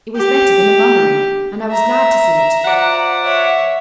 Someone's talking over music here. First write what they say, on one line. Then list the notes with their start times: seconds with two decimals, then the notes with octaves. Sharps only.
It was better than a mummery, and I was glad to see it.
0.16 G4
1.69 E5 A#5
2.65 F3 D5 F#5
3.22 C#5 E5